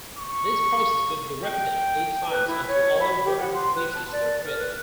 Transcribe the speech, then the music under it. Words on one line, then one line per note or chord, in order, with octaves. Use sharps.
This process would be repeated eight times until all rotor positions were filled.
C#6
G5
B4
E4
C#5
B5
G4
F#5
C6
B4
A5
D5
A#4
B4